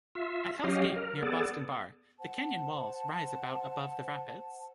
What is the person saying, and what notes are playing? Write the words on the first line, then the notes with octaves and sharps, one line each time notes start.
At Hells Gate, near Boston Bar, the canyon walls rise about above the rapids.
F4 E5
F#3 C#4 G4 D#5 F5
A#4
B3 G#4 A4 D5
C5 F#5 A5